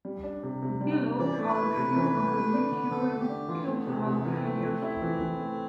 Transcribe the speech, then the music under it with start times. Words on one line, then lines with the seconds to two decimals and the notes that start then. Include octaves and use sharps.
Below are a few of the recurring cultural figures.
0.05 G3
0.23 D4
0.43 C3
0.62 C3
0.81 G3
1.00 D4
1.19 E3 D5
1.39 A3
1.48 B4
1.58 E4
1.77 C3
1.96 E3
2.15 A3
2.34 A3
2.54 D4
2.72 D3
2.91 D3 A4
3.11 A3
3.20 G4
3.29 D4
3.49 E3 F4
3.63 A3 C4
3.77 B3
3.87 C3 C4
4.06 C3 B3
4.25 E3
4.35 C4
4.45 A3
4.63 A3
4.82 E4
5.02 E3
5.21 E3
5.40 A3